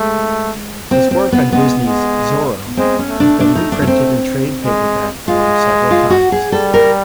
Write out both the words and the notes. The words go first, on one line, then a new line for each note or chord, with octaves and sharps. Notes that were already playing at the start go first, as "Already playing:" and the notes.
His work on Disney's "Zorro" has been reprinted in trade paperback form several times.
Already playing: G#3 A3
C4
C4
B3
G#3 B3
G#3
G#3 C4
C#4
A3
D4
D4
D#4
D4
C#4
C4
G#3
G#3 F4
F4
F#4
G#4
G3 A4
A#4